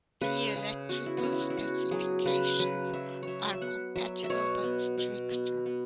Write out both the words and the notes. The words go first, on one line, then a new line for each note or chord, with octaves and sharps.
The electrical specifications are compatible, but stricter.
C#3 B4
C#3 G#4
B3 F#4
E4
B3
C#3 C#4
E4
F#4
E4
B3 F#4
F#3 G#4
C#3 B4
F#3 B4
F#3 E5
F#3 C#5 E5
E5
B3 F#5
F#3 E5
E5
B2 C#5
B3
B2
B3
B3